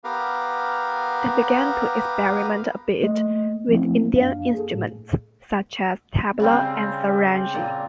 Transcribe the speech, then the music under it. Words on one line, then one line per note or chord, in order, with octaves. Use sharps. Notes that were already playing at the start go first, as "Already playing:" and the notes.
They began to experiment a bit with Indian instruments, such as tabla and sarangi.
B3 G4 A#4 B4 F5
A3 A#3 D#5
F3 A3 A#3 C4 C#4 E4
F#2 A#3 D4 F5
G#4 A4
A2
C#3 G3 C4
A#2